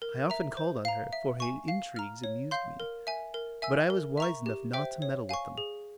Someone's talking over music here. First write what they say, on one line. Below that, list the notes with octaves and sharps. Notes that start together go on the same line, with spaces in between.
I often called on her, for her intrigues amused me, but I was wise enough not to meddle with them.
A#4
E5 A#5
C5
F5 A#5
E5
G#5 C#6
F5
A#5 F6
C#5
F5 C6 G6
A#4
E5 G#5
A#4
E5 G#5 E6
A#4
E5 A#5 C#6
G4
C5 E5 G5
C#5
F5 G#5 C#6
G#4